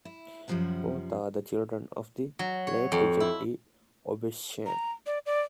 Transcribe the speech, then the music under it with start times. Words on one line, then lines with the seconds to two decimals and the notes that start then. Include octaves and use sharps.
Both are the children of the late Richard D. Obenshain.
0.05 E4
0.48 F#2 C3 D#3 F3 G3 F#5
2.39 F#3
2.67 C#5
2.92 F2
3.20 E4
4.66 A#5
5.06 D5
5.26 D5